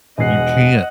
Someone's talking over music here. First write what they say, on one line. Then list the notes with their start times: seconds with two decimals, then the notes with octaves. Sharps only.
you can't
0.18 E1 E2 D#5 F#5 C7